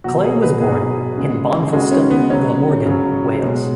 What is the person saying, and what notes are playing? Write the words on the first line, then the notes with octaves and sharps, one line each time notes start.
Clay was born in Bonvilston, Glamorgan, Wales.
B2 F#3 F#4
G#4
B4
B2 F#3 G#4
C#3 G#3
C#3 G#3 F#4
C#4
B3
C#3 F#3 C#4
C#3 F#3
B2 G#3